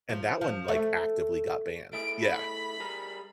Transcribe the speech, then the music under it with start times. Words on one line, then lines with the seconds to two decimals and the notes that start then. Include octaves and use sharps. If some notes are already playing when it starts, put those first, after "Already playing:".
and that one, like, actively got banned. Yeah.
0.09 F3
0.41 F3
0.68 A3
1.93 A3 E4 G#4 D7
2.23 B5
2.80 G3 G#4 A#4